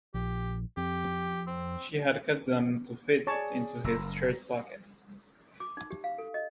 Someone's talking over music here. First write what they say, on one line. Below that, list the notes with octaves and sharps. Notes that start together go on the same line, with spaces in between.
She had cut them to fit into his shirt pocket.
A#1 G4
F2 G4
C4
G#4 C#5 D5 A5
F#1 A#5 E6 A#6
D6
D#4
G4
F5
A4
D#5